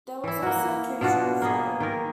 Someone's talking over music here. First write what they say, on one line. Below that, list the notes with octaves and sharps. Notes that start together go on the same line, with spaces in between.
There was also occasional flooding.
E3 E4
A#3 F#4
B2 D4 F4 F#4
A#3 B3 G#4
D#3 A#4